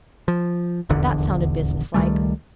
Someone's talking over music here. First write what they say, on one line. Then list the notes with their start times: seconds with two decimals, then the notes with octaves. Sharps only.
That sounded business-like.
0.28 F3
0.89 D#1 A#1 E2 D3
1.94 C#2 D#3 G3 A3